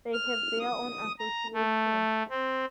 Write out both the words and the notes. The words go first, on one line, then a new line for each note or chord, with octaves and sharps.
They have their own association.
F6
D#6
A#5
A3
C4